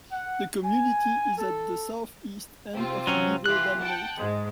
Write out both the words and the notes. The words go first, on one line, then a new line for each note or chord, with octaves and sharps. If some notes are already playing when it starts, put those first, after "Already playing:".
The community is at the southeast end of Beaver Dam Lake.
F#5
G#5
A4
C3 C4 F4
F#3 C#4
E3 F4 G4 F#6
F#5 G5 A5
G#2 G#3